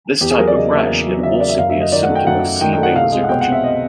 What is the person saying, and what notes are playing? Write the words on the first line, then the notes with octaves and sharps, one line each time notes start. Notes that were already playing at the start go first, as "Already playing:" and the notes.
This type of rash can also be a symptom of Sea bather's eruption.
E2 G4
G#4
F#3 A#4
D5
C#3 D#5
A#3 E5
E2
F#3
C#3 E5
A#3 D5
E5
F#2 F5
E5
F#3
D#5
D#3 D5
F#5
A3
G5
F#2 F#5
F#3
D#3 G5
G5
A3
F#5
C2 F5
G#3
F#5
B2 G5
F#5
C4
E5
D#5